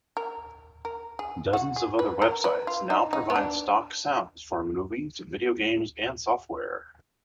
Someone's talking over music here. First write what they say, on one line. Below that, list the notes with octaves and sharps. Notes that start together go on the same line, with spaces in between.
Dozens of other websites now provide stock sounds for movies, video games, and software.
A#4
A#4
G#4
F#4
G#4
B4
A#4
B4
F4
D#4
D#4
B3
D4